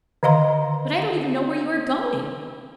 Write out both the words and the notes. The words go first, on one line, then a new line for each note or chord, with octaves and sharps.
But I don't even know where you are going.
D3 D#3 D#5 F5 A#5 C6